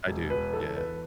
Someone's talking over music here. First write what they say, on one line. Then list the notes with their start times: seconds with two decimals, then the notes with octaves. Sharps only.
I do, yeah.
0.07 E1
0.30 B4
0.53 E2 A4
0.76 B4